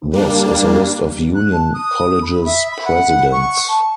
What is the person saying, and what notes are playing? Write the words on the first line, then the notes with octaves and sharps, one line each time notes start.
This is a list of Union College's presidents.
G3 A#3 D4
F#6
A5
D#6
B5
E5
B5
F#5
C#6
A5